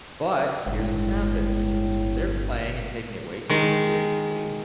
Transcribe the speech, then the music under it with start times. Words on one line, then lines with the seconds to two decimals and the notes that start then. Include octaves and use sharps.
But, here's what happens, they're playing and taking it way too seriously,
0.66 G1 A2 G#3
3.49 D#3 G#3